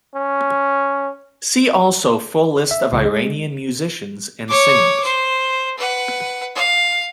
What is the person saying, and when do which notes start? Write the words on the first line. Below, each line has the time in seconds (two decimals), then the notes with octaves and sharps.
"See also full list of Iranian musicians and singers".
0.15 C#4
2.71 E5
2.93 C#2
3.05 G#3
4.48 C#5 D6
5.04 C5
5.78 B4 F#5
6.56 F5